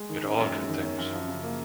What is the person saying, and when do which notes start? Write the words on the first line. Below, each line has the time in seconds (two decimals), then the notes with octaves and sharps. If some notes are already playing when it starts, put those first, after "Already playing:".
It altered things.
Already playing: G#3
0.09 D#3
0.23 C#4
0.39 F#2
0.53 G#3
0.68 D#3
0.83 C#4
0.98 F#2
1.12 F3
1.28 C#3
1.43 A#3